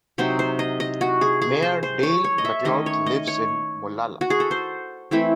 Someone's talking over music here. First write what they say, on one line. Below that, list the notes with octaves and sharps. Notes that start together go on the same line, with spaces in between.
Mayor Dale McLouth lives in Molalla.
C3 F#3 C4 D#4 C5
C5
D#5
D#5
F#4
G#4
G#4
C5
C5
C#5
C#5
D#5
E5
D#3 A3 C#4 D#5
C#5
D#5
C#5
F#4
G#4
A4
C5
E3 A3 C4 E4